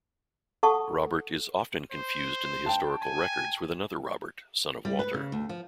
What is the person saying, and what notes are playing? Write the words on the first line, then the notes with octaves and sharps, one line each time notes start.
Robert is often confused in the historical records with another Robert, son of Walter.
A4 F#5 A5 C#6 D#6
C5
G5 A5
G#5
G3
B4
C#3
D2
F3